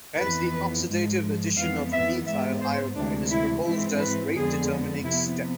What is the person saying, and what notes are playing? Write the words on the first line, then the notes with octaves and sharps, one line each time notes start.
Hence the oxidative addition of methyl iodide is proposed as rate-determining step.
F2 E3 B3 B4
G#2 F3 G#3
F2 E3 G#3 B3 F5
E5
G#2 G#3 B3 E5
C5
D2 C3 E3 G#3 D4
E4
G#2 E3 G#3 C4 E4
B4
F2 D3 G#3 B3 G#4
C3 F3 B3 E4